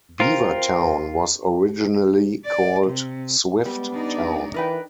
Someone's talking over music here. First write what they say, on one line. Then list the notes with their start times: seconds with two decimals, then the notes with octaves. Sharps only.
Beavertown was originally called Swifttown.
0.20 C4 F4 A#4
2.45 D5
2.87 C3
3.65 G3 G#3 B3
3.95 D4 D#4 D5
4.54 E3 A#4 B4 G5